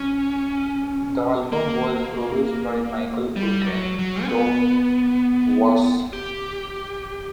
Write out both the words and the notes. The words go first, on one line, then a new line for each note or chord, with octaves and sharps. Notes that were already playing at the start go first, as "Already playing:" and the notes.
The album was produced by Michael Brook and Don Was.
Already playing: C#4
A#3
G3
F#3
F#3
C#4
B3
G4